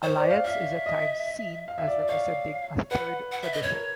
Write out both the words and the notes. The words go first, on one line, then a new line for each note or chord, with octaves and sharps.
Alliance is at times seen as representing a "third tradition".
C5 C#5
D5
F5
E5 F5
D#5
F5
E5
D5
D5
C#5 F5
B4 F#5
F#5
E5
D#5
C#5
A#4